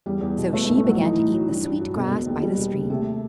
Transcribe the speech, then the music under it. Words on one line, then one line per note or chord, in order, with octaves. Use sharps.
So she began to eat the sweet grass by the stream.
E2 G3
E2
B2
A3 B3
A3
B1
A3
A2 F#3
E3 D#4
A2
F#3
G2
G2
F#3
E1 B2
E1
D#2
G3
E1
D#2
C3 A3